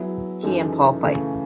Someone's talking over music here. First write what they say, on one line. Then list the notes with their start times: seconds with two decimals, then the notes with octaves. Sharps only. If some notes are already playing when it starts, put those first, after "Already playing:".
He and Paul fight.
Already playing: F#3 B3 E4 G#4
0.43 F#2 E3 G#3 D#4 A4
1.03 C#3 E3 A3